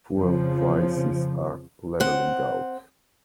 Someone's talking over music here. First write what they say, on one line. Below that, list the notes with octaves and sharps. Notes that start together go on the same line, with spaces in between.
Fuel prices are leveling out.
F2 C#3 F3
C4 F#5